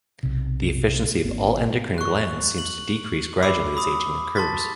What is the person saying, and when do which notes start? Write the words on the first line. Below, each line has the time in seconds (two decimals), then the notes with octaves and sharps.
The efficiency of all endocrine glands seems to decrease gradually as aging occurs.
0.23 B1 C3
1.25 G#1 A#3 C4
1.98 C#6 F#6
2.58 F#7
3.43 B5 D6 E6 C7
3.77 B5 D#6
4.36 A5 C6 A6 B6